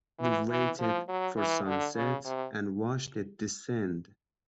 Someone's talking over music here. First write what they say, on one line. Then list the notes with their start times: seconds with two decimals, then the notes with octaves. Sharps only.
We waited for sunset and watched it descend.
0.20 E3
0.50 E3
0.79 F3
1.08 F#3
1.37 E3
1.66 D3
1.96 C#3
2.25 C3